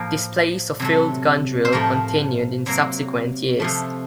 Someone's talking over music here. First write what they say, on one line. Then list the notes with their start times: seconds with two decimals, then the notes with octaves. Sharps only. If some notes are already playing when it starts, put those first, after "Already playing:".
Displays of field gun drill continued in subsequent years.
Already playing: A2 F3 A#3
0.80 C3 F#3 A3
1.65 C5
1.72 A2 F3 A3 A#4
2.66 C3 F#3 A#3
3.60 C3 F3 A3